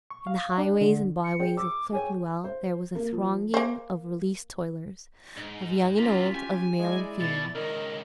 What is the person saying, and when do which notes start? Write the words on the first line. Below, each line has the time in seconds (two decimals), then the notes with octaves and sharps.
In the highways and byways of Clerkenwell there was a thronging of released toilers, of young and old, of male and female.
0.10 C#6
0.27 F5
0.58 D4
0.81 D3
1.25 C#7
1.40 G#4 C5 G5
1.57 D6 E6
1.92 G#4 C#5 G5 G#5
2.44 C5
2.95 A#3
3.12 F3
3.54 A#3 C5
5.37 G#2 D#4
5.98 A#3 C4 C#4 F4 B6
6.35 G4 G#5
6.79 G#3 E4 D5 D#5
7.20 B2 A6
7.55 C#2 D#3 A#4 D#5